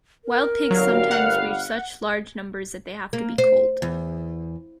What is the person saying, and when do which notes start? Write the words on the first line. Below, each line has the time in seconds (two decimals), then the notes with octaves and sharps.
Wild pigs sometimes reach such large numbers that they have to be culled.
0.25 A#4
0.71 G1 F#3 G3 F5
1.11 F#5
3.13 A#3
3.38 C5
3.82 E2